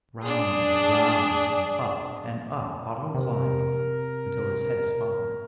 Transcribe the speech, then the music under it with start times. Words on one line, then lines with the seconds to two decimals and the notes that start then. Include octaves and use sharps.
Round and round and up and up Otto climbed, until his head spun.
0.23 D4 G#4
3.14 C3 A#4